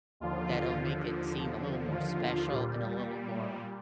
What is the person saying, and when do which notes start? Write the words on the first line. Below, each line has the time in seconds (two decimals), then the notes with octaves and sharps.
that'll make it seem a little more special and a little more
0.20 D#2 D3 F3 F4
1.35 D#2 D3 F3
1.92 F4
2.50 A#2 G3